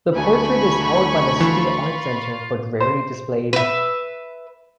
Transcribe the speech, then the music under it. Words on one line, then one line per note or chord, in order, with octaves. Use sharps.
The portrait is held by the City Art Centre but rarely displayed.
D2 G#5 B5 C#6
E3 F4
C5
B4 E5